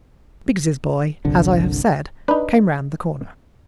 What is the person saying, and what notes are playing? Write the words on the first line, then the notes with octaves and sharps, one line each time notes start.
Biggs's boy, as I have said, came round the corner.
G1 C2 D3
D4 D#4 B4